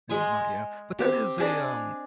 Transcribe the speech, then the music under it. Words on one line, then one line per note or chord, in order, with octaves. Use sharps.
and whatnot, yeah, but that is a, um
G#3 D#5 G#5 C6
C4 G4
D4 G#4 D5 D#5